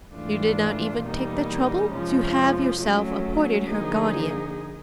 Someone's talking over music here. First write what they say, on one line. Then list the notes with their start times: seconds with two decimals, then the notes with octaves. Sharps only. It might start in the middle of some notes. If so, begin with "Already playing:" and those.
You did not even take the trouble to have yourself appointed her guardian.
0.14 G#2 E3 A3 D4 F4
1.02 E2 B2 G3 A#3 D#4
1.90 F2 C3 F3 G#3 C#4
2.79 F#3 A3 C#4
3.68 D3 F3 A#3 D#4 G#4